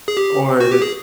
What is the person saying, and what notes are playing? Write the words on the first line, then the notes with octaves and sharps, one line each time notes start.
Or the
G#4
G4
F#4
G4
G#4